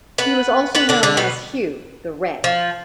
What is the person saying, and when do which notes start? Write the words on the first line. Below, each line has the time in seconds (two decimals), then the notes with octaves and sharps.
He was also known as Hugh the Red.
0.18 B3 B4
0.75 B3 B4
0.89 D3 D4
1.03 D3 D4
1.17 B2 B3
2.44 F3